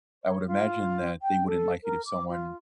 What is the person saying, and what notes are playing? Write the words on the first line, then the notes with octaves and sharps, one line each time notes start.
I would imagine that they wouldn't like it if someone
C#5
F4
G5
A4
A#4
D6
F4